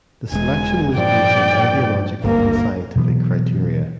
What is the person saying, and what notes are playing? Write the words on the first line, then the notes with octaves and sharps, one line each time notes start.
The selection was based on ideological and scientific criteria.
E1 G#3 G#5
G2 A#2 F3 D5 G5
G#1 D2 G2 A#3 A#4
B2 E3 F#3 B3